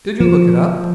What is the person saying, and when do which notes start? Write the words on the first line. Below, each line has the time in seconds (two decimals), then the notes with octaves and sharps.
"Did you look it up?"
0.20 F3